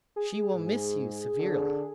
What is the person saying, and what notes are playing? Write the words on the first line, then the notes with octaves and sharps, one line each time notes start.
"She will miss you severely."
G#4
G#2
D3